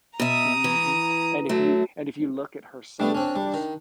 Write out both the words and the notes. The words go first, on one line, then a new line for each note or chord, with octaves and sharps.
Mhm, and, if you and if you look at her sales
B2 E5 A#5 D#6
E3
F#2 F#3 A3
G3 A3 B3 D4
C4 C#4
G3
D#3